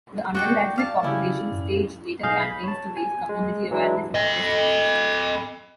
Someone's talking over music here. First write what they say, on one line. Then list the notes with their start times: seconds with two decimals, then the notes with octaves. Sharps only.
The undergraduate population staged letter campaigns to raise community awareness and protest the decision.
0.35 D4 F#4 G5 C#6
0.76 D5 F5 A5
1.03 C#3 C#4 E4 G4
1.52 F#2
2.23 B1 G#4 D#5 F5 G6
2.42 B5
2.64 C#5 A5
2.97 G#5
3.29 G#3
3.71 E3 F#3 G#3 D4 E4
4.15 A4 D#5